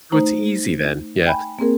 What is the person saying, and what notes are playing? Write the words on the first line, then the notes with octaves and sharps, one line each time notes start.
so it's easy then. Yeah.
A3 D#4 C5 A#5
G5 G#5 B5
A#3 C4 G#4 A#4